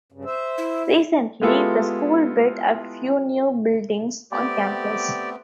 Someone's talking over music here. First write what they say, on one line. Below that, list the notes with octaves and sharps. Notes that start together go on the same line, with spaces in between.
Recently, the school built a few new buildings on campus.
G2 C#3
C5 E5
E4
G#3 B3 E4 F4 G4 A4
A3 B3 C4 G4 D5